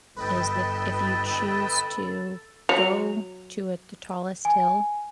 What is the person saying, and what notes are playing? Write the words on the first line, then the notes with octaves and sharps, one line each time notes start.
is if if you choose to go to a the tallest hill,
G1 A4 B4 D#5 G5 B5
F#3 F7
G#5